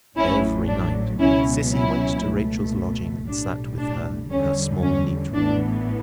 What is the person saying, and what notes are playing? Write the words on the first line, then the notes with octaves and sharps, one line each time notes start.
Every night, Sissy went to Rachael’s lodging, and sat with her in her small neat room.
A1 A2 F#3 A3 C#4 E4
D4
C#2 B2 F#3 B3 C#4 E4
C#4 E4
C#2 B2 A3
B1 A2 G3 D4
D4
E2 D3 G3 C#4
C#4
A1 A2 E3 B3 D4